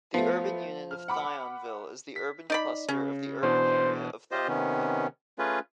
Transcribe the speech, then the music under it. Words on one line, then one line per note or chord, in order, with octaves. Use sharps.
The urban unit of Thionville is the urban cluster of the urban area of Thionville.
F3 A3 B3
F6
F#5 B5 D6
B6
D#4 D5 B5
C#3 C#4
B2 E3 D4 C5
F4 G4 C5 D#5
C3 D#3 B3 C#4
A3 C#4 F4 G#4 B4